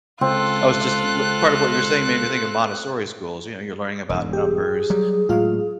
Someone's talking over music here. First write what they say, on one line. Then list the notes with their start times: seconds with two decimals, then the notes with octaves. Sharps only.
I was just m part of what you're saying made me think of Montessori schools, you know, you're learning about numbers.
0.21 C#2 C4 F4 A4 F#6
4.09 E1 G#2
4.33 G4 G#4
4.90 F#3 G3
5.29 A2 F#3 G#3 F4 F5